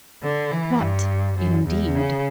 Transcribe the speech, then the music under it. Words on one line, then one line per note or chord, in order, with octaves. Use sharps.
What indeed!
D3
E3
G2
F#2
E2
C#3